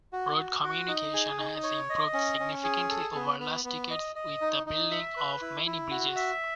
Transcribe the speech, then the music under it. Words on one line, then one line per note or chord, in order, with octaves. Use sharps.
Road communication has improved significantly over last decades with the building of many bridges.
F#4
F#4
F#4
D#4
G#4
D#4
C#5
D#5
C#4
C#4
G#4
A4
B3
B3
B3
D#5
D#5
D#4
D#4
E5
B4
E4
E4
F#4
E5